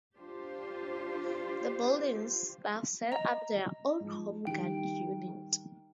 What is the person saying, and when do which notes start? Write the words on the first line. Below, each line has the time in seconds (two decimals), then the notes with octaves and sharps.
The building's staff set up their own Home Guard unit.
0.17 D4 F4 G4 C5
3.12 D#5 A#5
4.00 G#2 F3
4.47 D#3 G3 G5